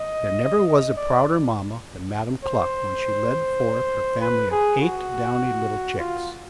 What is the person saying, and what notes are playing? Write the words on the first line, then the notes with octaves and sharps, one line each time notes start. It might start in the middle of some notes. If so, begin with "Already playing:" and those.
There never was a prouder mamma than Madam Cluck when she led forth her family of eight downy little chicks.
Already playing: D#5
D#5
D5
C5
B4
G#4
F#4
F4